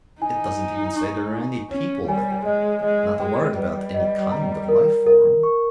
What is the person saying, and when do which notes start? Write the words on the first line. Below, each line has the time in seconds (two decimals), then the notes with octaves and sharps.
"It doesn't even say there are any people there. Not a word about any kind of life form."
0.22 D#4 G#5
0.59 G#5
0.96 C#6
1.33 G#5
1.70 C#4 C#5
2.08 G3 G#5
2.46 G#3 D#5
2.83 G#3 D#5
3.20 G#3 G5
3.57 G3 B4
3.94 D#5
4.32 A#5
4.69 A#4
5.07 A#4
5.43 C#6